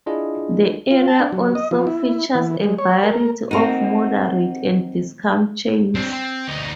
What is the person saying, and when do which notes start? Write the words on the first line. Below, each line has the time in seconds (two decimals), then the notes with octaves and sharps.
The area also features a variety of moderate and discount chains.
0.06 D4 E4 F4 G#4 D#5
0.91 F4
1.08 A5
1.20 D4
1.32 F#3
1.55 D#5
1.71 F3
1.87 E4
2.05 E4
2.35 E3
2.64 G#3
2.78 C#5
3.03 A#4
3.51 C4 D#4 F#4 A#4
5.95 C4 D4
6.13 C4
6.48 D2 D#4